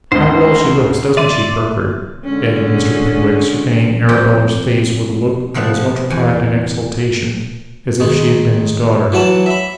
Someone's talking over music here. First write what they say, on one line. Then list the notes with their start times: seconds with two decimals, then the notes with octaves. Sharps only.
How well she looks, doesn't she, Perker?' added Mr. Pickwick, surveying Arabella's face with a look of as much pride and exultation, as if she had been his daughter.
0.12 D2 G#2 C4 C5 D#5
1.17 D5 E5 C6 D#7
2.25 D3 G#3 C#4
4.09 F2 C4 G4 D#5 B5
5.54 C3 F3 B3 B4 A5
6.10 E2 G#5
8.00 D#3 G#3
9.12 E3 F#3 F#5 A5
9.46 E5 B5